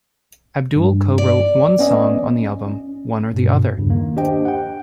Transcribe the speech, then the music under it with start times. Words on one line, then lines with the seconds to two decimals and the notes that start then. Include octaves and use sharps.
Abdul co-wrote one song on the album, "One or the Other".
0.76 G2
1.18 D5
1.79 B3 C#4 D#5
2.66 C#4
3.34 G2 B2
3.77 E2 G2 C#3
3.90 D#3 A#3
4.17 D4 G4 C5 D#5 G5
4.45 F#5 G5